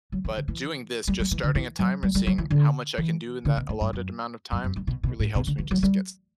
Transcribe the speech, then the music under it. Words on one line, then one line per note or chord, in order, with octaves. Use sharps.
But doing this, just starting a timer and seeing how much I can do in that allotted amount of time really helps me just get
F#3
E3
D3
E3
G3
G3
E3
D3
E3
F#3
G3
G3
F#3
E3
D3
E3
D3
B2
A2
G2
F#2
F#2
F#2
G2
B2
B2
A2
B2
D3
E3
F#3
G3